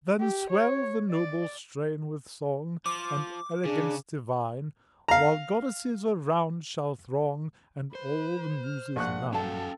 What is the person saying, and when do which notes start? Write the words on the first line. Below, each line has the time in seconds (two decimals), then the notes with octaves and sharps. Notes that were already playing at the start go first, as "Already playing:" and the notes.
Then swell the noble strain with song, And elegance divine, While goddesses around shall throng, And all the muses nine.
0.20 G4
0.50 C#5
1.11 D5
2.86 F3 D6
3.65 C#3 D4 G#4
5.08 F5 A#5
7.95 B4 C5
8.64 F6
8.96 A#1 F#5 C#6 F#6
9.33 F#3 C#4 A4 F5 G5 A5